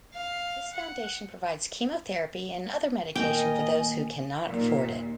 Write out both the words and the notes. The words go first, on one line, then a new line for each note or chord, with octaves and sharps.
This foundation provides chemotherapy and other medication for those who cannot afford it.
F5
F#5
A#2 D#3 A3 A#4 D#5 G5 G#5
D#2 A#2